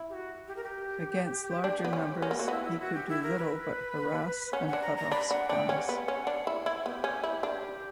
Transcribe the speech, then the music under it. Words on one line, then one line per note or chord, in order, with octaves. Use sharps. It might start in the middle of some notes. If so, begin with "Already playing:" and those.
Against larger numbers he could do little but harass and cut off supplies.
Already playing: E4
G4
F#4
G4
A#4
G4
D4
B3
C#4
C#4 A#4
B3
A#3 F#4
B3 E4
E4
F#4
G4
E4
A#4
B4
C#4 F#5
F#5
D4
A#5
A#5
D4 B5
D4 F#5
D4 G5
C#4 F#5
B3
C#4
D4
E4
E4
B3 G4
C#4
E4
D4 G4 A#4